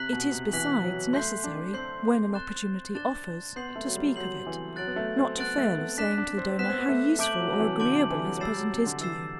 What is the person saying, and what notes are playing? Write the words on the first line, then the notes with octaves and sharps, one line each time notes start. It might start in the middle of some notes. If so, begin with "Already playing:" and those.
It is besides, necessary, when an opportunity offers, to speak of it, not to fail of saying to the donor, how useful or agreeable his present is to you.
Already playing: C3 F#6 B6 F#7
B2
C3
E3 F#6 B6 F#7
F#3
A3 C6 G6 C7
D4
C4 C6 G6 C7
F#6 A6 E7 G7
D4 F#6 A6 E7 G7
B3 C6 G6 C7 F#7
B3
A3
F#3
G3
F#3 C6 G6 C7 F#7
E3
F#3 F#6 A6 D7 F#7
B3
A3
C4
B3 F#6 A6 D7 F#7
A3
B3
D4 F#6 B6 E7
D4
C4
C4
B3 F#6 B6 E7
C4
B3
A3
A3 A5 D6 G6 D7 F#7
F#3
F#3
E3
D3 A5 D6 G6 D7 F#7
C3
D3
E3
G3
F#3
F#3
G3 E6 A6 C7 E7
F#3
C3
D3
E3 E6 A6 C7 E7